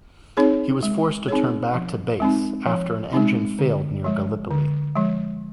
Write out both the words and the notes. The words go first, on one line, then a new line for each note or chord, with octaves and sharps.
He was forced to turn back to base after an engine failed near Gallipoli.
C4 D#4 G#4 C#5
G#3
C4 D#4 G#4 C#5
F3
G#3 C4 D#4
F3
G#3 C4 D#4
D3
F3 G#3
D3
F3 G#3